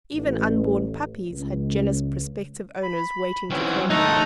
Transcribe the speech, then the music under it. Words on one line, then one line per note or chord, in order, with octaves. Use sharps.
Even unborn puppies had jealous prospective owners waiting to claim them.
A1
C#2
B5
E3 F#3 C4 C#4
D#2 G#2 A3 D#4 A4 F#6